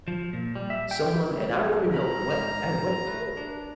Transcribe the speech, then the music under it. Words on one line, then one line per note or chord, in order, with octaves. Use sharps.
Someone and I wanna know what at what point
F3
A#2
G3
E5
G5
A4 A#5 B5 F6
G#2 F6
A3 B4
D4